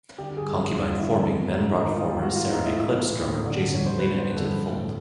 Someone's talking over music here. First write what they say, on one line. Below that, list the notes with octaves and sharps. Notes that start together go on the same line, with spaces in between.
Concubine Forming then brought former Sera Eclipsed drummer Jason Molina into the fold.
D3 G4
G2 G#4
F3 F#4
G2 F4
D3
E4
G2
D#3
G#2
G#2
D#3 D#4
D#3 F4
G4
G#2 F#4
E3 F4
D#4
A2
E4
A2 F4
E3
E3
A2
D3
G2
C#5
F3
C5
G2 B4
D3 C5
G2 A4
F3
A2